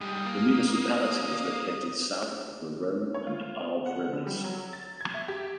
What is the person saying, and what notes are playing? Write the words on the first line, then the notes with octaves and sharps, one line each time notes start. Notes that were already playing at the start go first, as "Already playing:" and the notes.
The municipality is located south of the Rhone and Arve rivers.
G#2 G3 D#6
A#3
C#5
F4
F#5
D3
G3
F#3
A6
G#6
E5
G4